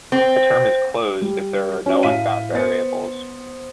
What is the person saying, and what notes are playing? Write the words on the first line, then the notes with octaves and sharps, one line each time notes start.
A term is "closed" if there are no unbound variables.
C4
G3
C#4 F#4 C#5
A2 F5 B6 D#7
B3 C5 A6 C#7